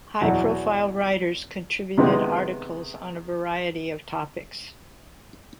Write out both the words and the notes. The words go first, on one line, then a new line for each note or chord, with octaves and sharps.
High-profile writers contributed articles on a variety of topics.
E2 B2 F#3
C3 D#3 G#3 B3